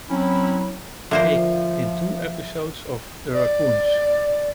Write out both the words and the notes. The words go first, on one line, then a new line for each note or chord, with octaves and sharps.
Pig in two episodes of "The Raccoons".
F#3 C4 C#4 E4
D3 F3 A#3 C5 E5
D5